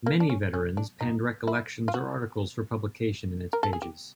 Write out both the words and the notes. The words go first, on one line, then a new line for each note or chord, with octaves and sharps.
Many veterans penned recollections or articles for publication in its pages.
A#3
D4
C#4
C#4
D4
D#4
E4
F4
F#4
A#4
A4
G#4
G4